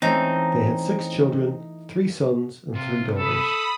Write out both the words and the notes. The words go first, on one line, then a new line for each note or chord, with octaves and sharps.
They had six children: three sons and three daughters.
E3 A3 C4 C#4 D#4 E4
C3 F4
A4 B5 D#6